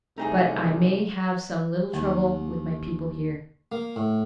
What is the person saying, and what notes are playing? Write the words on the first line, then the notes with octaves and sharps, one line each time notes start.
But I may have some little trouble with my people here.
C2 A3 D#4 G4 G#4
D#2
A#3
A2